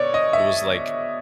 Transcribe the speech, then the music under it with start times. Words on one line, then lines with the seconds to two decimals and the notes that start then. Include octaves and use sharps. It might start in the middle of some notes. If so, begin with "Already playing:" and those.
it was, like,
Already playing: B2 C#5 D5
0.14 D#5
0.33 E5